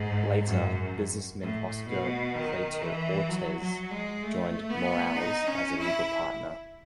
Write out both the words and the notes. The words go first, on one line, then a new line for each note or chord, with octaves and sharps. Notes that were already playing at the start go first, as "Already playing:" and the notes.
Later, businessman Oscar Prieto Ortiz joined Morales as a legal partner.
Already playing: G#2
F#2
A2
B2
D#3
E3
F#3
F#3
G#3
A3
B3
D#4
C#4
E4